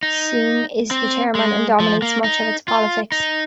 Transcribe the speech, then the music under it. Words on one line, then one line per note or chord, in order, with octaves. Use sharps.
Soong is the chairman and dominates much of its politics.
D#4
C4
G#3
F3
A#3
D#4
F4
D#4